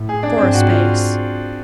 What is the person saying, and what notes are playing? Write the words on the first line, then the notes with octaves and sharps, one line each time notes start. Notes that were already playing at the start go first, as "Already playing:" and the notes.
For a space.
Already playing: A2
G#4
D4
G#2 C4
F#4
F4